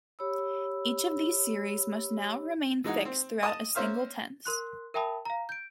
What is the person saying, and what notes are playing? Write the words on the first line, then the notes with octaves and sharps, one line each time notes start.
Each of these series must now remain fixed throughout a single tense.
G4 C#5 B5 E6
E3 G#3 D#4 F#4
C4
D#5 A5
A#3 C#4 C5 E5 F5
A#4 C6 F#6
A#4 E5 G5 A5 B5 D#6
F5 A#5
G6 D7